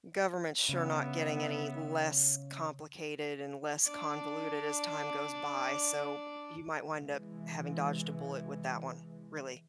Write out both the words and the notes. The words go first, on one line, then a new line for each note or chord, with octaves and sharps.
government's sure not getting any less complicated and less convoluted as time goes by, so, you might wind up having dodged a bullet with that one really.
C#3 B3 E5
D4 D5
C3 E3 G#3